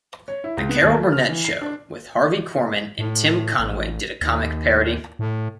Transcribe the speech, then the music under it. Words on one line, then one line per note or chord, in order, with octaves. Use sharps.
"The Carol Burnett Show" with Harvey Korman and Tim Conway did a comic parody.
C#5
E4
C#2
B3
D#2
A3
F6
E3
C7
D4
A2
A1
D#2
A2